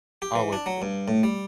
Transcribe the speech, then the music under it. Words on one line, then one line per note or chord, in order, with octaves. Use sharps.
always a good laugh.
G4
E3
D4
F#3
G2
A2
G3